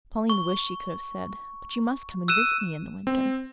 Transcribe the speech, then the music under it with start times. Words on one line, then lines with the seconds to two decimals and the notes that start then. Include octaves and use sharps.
Pauline wished she could have said: But you must come and visit me in the winter.
0.30 C#6
2.28 E6 F#6 D#7 E7
3.07 C4